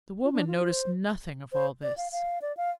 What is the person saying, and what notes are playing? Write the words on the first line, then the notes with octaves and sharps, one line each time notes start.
The woman noticed nothing of all this.
F4
D4
F4
C5
C5
D5
F5
F5
D5
F5